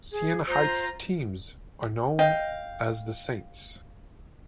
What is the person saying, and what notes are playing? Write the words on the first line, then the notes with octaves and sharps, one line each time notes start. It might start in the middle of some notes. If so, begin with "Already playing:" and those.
Siena Heights teams are known as the Saints.
G#4
F4 C5 A#5
D#5 F5 G5